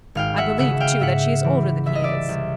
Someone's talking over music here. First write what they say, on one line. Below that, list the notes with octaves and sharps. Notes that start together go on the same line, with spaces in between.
I believe, too, that she is older than he is.
G#1 F5 G5
E5 F#5
C#3 E5 F#5
F5 G5
G#2 E5 F#5
E3
C2 E5
D#5
D5 E5
C2